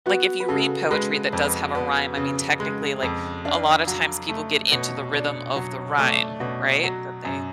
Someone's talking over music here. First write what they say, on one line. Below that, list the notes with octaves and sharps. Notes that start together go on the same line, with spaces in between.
like, if you read poetry that does have a rhyme, I mean, technically, like, a lotta times people get into the rhythm of the rhyme, right? That they
B3 F#4
B4
C#3 A4
G#3 B4
F2
B3
C#3
G#3
F2
D4 F5
F#3
A3
B2 C#5
D4 C#5
F#3 C#5
A3 D5
B2 C#5
F#3
F#2